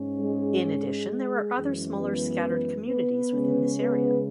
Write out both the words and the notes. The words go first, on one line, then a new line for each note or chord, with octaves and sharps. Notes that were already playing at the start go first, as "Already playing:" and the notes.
In addition there are other smaller scattered communities within this area.
Already playing: G#2 C#4
G#3 G#4
G#3 G#4
F#2 E3 G#3 C#4
B3 B4
B3 B4
C#3 G#3 C#4
B3 B4